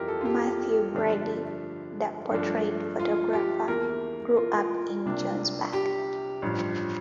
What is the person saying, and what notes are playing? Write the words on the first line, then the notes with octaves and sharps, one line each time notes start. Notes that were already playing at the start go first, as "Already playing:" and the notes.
Mathew Brady, the portrait photographer, grew up in Johnsburg.
Already playing: G1 F2 E3 F4 G4 A#4
A4
F4
G4
G2 D3 F3 A3 D4
G2 F3 A3 D4
F4
G4
E2 E3 A#3 A#4
F4
F4
C2 C3 G3 A#3 D4
G4
A1 G2 F3